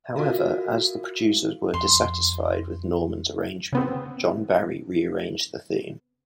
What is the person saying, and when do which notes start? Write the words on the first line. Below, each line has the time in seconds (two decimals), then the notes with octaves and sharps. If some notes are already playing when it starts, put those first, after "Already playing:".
However, as the producers were dissatisfied with Norman's arrangement, John Barry re-arranged the theme.
0.16 F4 F#4 A4 A#4 E5 F5
1.74 F2 C6
3.72 C#3 B3 C4